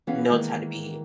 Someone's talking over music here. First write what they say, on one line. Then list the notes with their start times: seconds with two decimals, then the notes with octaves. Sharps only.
notes had to be
0.07 E3 B3 C#4 E4 G#4 F5
0.30 D#3 E3 G#3 A#3 B3